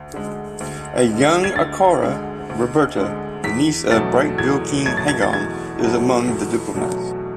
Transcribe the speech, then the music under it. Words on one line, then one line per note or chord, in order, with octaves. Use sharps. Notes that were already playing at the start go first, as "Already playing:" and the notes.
A young Acara, Roberta, the niece of Brightvale King Hagan, is among the diplomats.
Already playing: D2
D3 G#3
D2
D3 G#3
G#6
D2 A6
D3 G#3
D2
D3 G#3
E2 B6
B2 F#3 A3 A6
E2 G#6
B2 F#3 A3 G#6
A6
G#6
A6
E2 G#6
B2 F#3 A3
E2
B2 F#3 A3